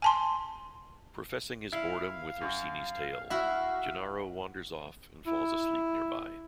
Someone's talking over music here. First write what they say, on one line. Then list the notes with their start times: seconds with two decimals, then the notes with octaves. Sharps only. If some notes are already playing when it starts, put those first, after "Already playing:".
Professing his boredom with Orsini's tale Gennaro wanders off and falls asleep nearby.
0.02 G#5 A5 C6
1.72 E4 F5
2.41 F#2
3.30 E4 F#4 E5 F#5
5.26 E4